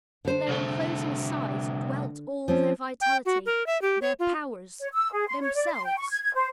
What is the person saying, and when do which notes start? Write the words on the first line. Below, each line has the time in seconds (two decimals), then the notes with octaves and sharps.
In their enclosing sides dwelt all their vitality--their powers--themselves!
0.25 D3 C5
0.48 C2 A3
2.48 F3 C4 C#4
3.01 G5
3.26 F#4
3.46 A#4
3.67 E5
3.82 G4
4.02 C#5
4.19 F4
4.80 C#5
4.93 E6
5.12 G#4
5.28 C6
5.40 C#5
5.54 D5
5.72 C6
5.84 G5
5.97 C#6
6.08 G#6
6.22 G#6
6.34 C5